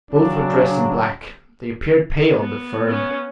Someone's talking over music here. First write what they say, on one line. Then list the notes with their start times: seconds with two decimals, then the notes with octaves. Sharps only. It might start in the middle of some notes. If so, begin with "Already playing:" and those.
Both were dressed in black; they appeared pale, but firm.
0.13 C#3 F#3 D4
2.38 B3
2.87 B3 C#4